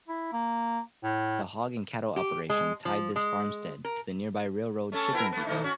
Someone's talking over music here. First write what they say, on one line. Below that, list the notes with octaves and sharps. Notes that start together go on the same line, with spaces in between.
The hog and cattle operation tied this farmstead to the nearby railroad shipping depot.
E4
A#3
A2
G4
G#3
F3
G#3
A#4
A3 C#4 A4
B3 E4 A#4
A3 B3
D#3 A3 D#4
C#4 F#4